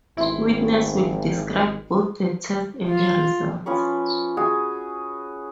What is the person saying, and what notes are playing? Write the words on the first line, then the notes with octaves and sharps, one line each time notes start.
Witness will describe both the test and the results.
G#1 E4 C6
F4
F3 C#4 B4 C#6
F#4 G#4 G#5